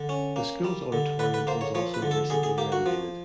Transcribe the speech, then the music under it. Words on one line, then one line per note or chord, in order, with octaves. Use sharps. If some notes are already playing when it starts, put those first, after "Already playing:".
The school's auditorium was also recently renovated.
Already playing: D3
C#4
A#3
G3
D3
D3 B4
B4
A#3 C5
C#5
F3 C#5
B4
D3
A4
D3 G#4
G#4
A#3 G4
F#4
F3